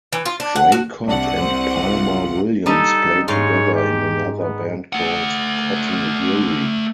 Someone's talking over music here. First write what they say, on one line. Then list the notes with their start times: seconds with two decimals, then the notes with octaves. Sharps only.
Draycott and Palmer-Williams played together in another band called Cotton Weary.
0.13 E3
0.25 F4
0.40 D4
0.56 F#5
0.72 F#4
1.07 C2 D4 F#5
1.39 C5
1.84 F4
2.66 G3 D4 D#4 A4
3.28 G#2 C#5 F5 C6
3.75 G4
4.40 B3
4.93 A3 F#5